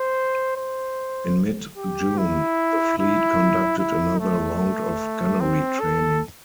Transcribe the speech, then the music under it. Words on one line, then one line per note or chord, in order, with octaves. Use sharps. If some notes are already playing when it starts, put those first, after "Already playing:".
In mid-June, the fleet conducted another round of gunnery training.
Already playing: C5
C5
G4
E4
E4
E4
A3
C4
A4